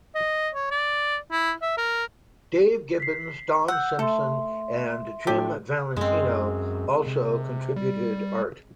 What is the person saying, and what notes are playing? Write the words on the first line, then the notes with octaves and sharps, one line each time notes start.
Dave Gibbons, Don Simpson, and Jim Valentino also contributed art.
D#5
C#5
D5
E4
E5
A#4
B6 C7
F#5 E6 G6
A3 A4 E5 C6
A2 D4 G4 A4
F#2 G#3 C4
C3
G3